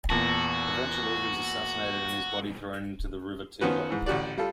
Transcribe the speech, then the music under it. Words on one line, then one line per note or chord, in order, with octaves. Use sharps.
Eventually, he was assassinated, and his body thrown into the river Tiber.
E2 A#2 F#4 A5
D#3 F3 B3 C#4 F#4 B4
G#2 E3
A1 D2 F#4 G4 D5
G3 F4 A4